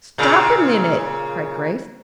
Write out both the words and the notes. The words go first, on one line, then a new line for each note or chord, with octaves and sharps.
"Stop a minute!" cried Grace.
A#2 C#3